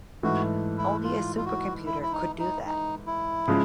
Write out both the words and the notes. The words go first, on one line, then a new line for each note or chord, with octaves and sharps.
Only a supercomputer could do that.
G#2 E3 A3 F#4
E4
F4
F4
F#4
E4
E4
D#4
D#4
D#4
E4
C#3 F3 G#3